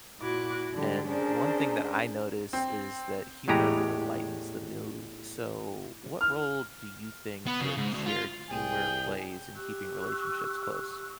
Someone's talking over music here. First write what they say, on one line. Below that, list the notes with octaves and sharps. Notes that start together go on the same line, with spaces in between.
And one thing that I notice is that humor really lightens the mood. So, what role do you think that shared humor plays in keeping relationships close?
A#2 E4 F#4 D6 F#6 G#6
D3 G3 G4
C#4 D4 G#4 A#4 C5
C4
E2 A2 G#3 G4 A#5
F6
B3
C#3
G#2
D2
F4
C2 G#4 G5
G4 C#6 E6 F#6